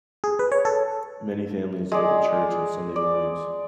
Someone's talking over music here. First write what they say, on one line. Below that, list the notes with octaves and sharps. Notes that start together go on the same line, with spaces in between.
Many families go to church on Sunday mornings.
G#4
B4
C#5
A4
G#3 G#4 D5
D5